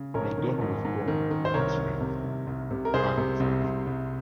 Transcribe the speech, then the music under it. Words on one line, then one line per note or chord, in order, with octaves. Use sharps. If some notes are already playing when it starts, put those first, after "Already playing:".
McDonald was born in Hot Springs, Arkansas.
Already playing: C#3
A#1 A#4 C#5
D#3
G#2
G#2
D#3
D#3
C5
C2 A#4 C#5
C2
C3
C2
C2
C3
A#4
C2 G#4 C5
C3
C2
C2
C2